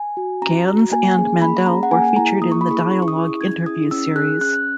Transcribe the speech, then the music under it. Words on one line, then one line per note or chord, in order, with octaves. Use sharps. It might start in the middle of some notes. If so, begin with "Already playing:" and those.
Ganz and Mandel were featured in The Dialogue interview series.
Already playing: G#5
F#4
C#4 A#5
F#4
A#3 G#5
C#4 G#4
A#3 B5
C#4 G#4 A#5
F#5
A#3 G#5
E4 G#4 A#5
A#3 D#6
C#6
B5
E4 G#4 C#6
C#4 C#6
C#6
D#6
E4 G#4
C#4 G#6
E4 G#4 D#6
C#4 E6
G#4 F#6
C#4 F#6